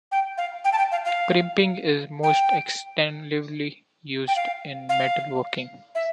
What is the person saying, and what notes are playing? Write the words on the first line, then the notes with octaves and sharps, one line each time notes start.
Crimping is most extensively used in metalworking.
G5
F5
G5
A5
G5
F5
F5
G5
G5
F5
F5
E5